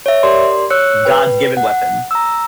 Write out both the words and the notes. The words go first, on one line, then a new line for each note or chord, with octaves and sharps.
God's given weapon.
C#5 E5
G4 A#4 D5 C6
C#5 E6 F#6 C#7
B4 G5
F#5
A#5 E6